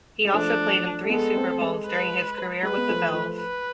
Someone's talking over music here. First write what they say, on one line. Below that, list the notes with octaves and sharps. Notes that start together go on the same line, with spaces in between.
He also played in three Super Bowls during his career with the Bills.
G#3
F3 A3 D4
A3
G#3 B3 A4
A3 C4
G#3
B4
G#3 B4
B3
F3 A3
F3 A3
B4